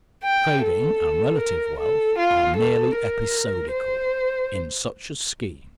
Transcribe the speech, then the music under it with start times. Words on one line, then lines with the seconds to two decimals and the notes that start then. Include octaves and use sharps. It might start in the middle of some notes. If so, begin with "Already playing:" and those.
Trading and relative wealth are merely episodical in such a scheme.
0.24 G5
0.63 A4
1.40 A#4
1.79 A4
2.18 F4
2.56 A4
2.96 A#4
3.72 C5